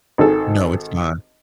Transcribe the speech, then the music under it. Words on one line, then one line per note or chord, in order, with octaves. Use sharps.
No, it's not.
G#1 D#3 G#4 A4